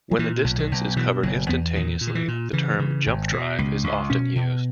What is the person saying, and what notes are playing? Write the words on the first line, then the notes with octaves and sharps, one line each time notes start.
When the distance is covered instantaneously, the term jump drive is often used.
F#3
A#2 E3
B1
D#3
B1
B2 E3
F#1 F#3
E2 B3
A#2 D#3
A#2
D#3
E3
A#2
C#3 E3
C#3
G#1
B2
C#2
C#2
B2 C#4
B2